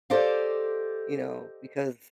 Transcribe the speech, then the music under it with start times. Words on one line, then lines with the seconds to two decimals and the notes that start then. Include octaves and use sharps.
you know, because
0.10 G4 A4 C5 D5 D#5 F5